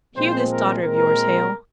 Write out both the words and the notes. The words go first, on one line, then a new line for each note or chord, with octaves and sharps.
'Hear this daughter of yours, Hale.
A#2 F3 G#3 C4 C5
A#4
A#2 G#3 C4 A#4